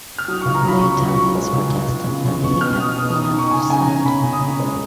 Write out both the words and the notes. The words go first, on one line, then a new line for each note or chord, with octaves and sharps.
The Italians protested that he had been off-side.
F6
F#3 D#6
C#2 C#6
A#5
F#3 B5
C#3 C#6
C#2
C#6
F#3
G#3
C#2
C#2
C#2
C#3
C#3
B2 C#6
B2 F6
B2 D#6
B2 D#6
D#6
D#4
D#6
D#4
C#6
C#3 G#5
C#3 G#5
A#5
C#4
C#3 B5
C#3
D#6
C#3
G#3